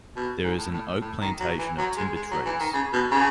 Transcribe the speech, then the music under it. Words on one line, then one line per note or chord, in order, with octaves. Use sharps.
There is an oak plantation of timber trees.
B2
G#2
A2
A2
A2
D#3
F#3
E3
F#3
G#3
G#3
F#3
E3
D#3
C#3
B2
C#3